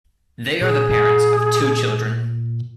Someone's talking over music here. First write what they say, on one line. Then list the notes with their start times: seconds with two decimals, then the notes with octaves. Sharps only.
They are the parents of two children.
0.61 A#2 G#4